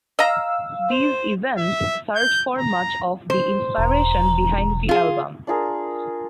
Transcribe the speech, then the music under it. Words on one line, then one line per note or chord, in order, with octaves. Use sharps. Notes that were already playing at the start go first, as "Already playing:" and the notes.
These events served for much of the inspiration behind the album.
D#5 F5 A#5 E6
C5
E5
G6
A#5
C5
E1 A#5
F4 G#4
D4 F4 G#4 A#4